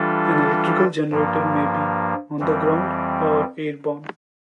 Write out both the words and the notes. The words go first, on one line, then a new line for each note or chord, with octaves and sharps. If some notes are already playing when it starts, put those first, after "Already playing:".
An electrical generator may be on the ground or airborne.
Already playing: E3 G3 D4 F4 A4
G2 F3 A#3
F2 E3 G3 C4